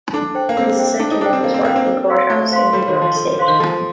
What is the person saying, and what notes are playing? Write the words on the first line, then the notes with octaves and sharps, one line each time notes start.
It is the second oldest working courthouse in New York State.
D4 A4
C5 G5
A#3
C4 A4
C5 G5
D4 A4
D#4
D4 C5 G5
C4
A#3 A4
C4
A#3 C5 G5
C4
A4
C5 F5 C6
A3 A4
C5 F5 C6
G3 A4
D#3
C5 F5 C6
F3
A4
C5 F5 C6
D#3
F3 A4